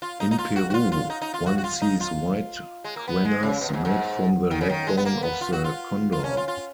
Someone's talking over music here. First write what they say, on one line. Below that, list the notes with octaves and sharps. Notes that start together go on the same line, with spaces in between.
In Peru, one sees white quenas made from the leg-bone of the condor.
F4
D#4
D#4
F4
F#4
F#4
F4
F4
D#4
D#4
F4
F#4
F#4
F4
D#4
F4
G#3
A#3
B3
G#3
C#3
B2
F#2
G#2
G#2
D#3
C#3
D#3
G#3
B3
A#3
B3
F4
F#4
F4
F4
C#4
F4
F4